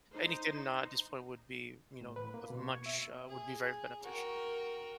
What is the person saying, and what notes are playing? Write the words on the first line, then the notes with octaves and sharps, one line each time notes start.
anything, uh, at this point would be, you know, of much, uh, would be very beneficial.
D#4 C5
A2
B4
A#3
B2
C#6
G#6
E5
G#4
F#4 A#4 G5